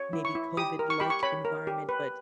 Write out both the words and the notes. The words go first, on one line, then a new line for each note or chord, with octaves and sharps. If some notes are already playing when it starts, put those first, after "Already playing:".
maybe COVID-like environment but
Already playing: C#5
E4
C#6
E4
G4 D#6
A#4
C#6
G4 B5
C#6
C#5 B5
A#4
G4
B4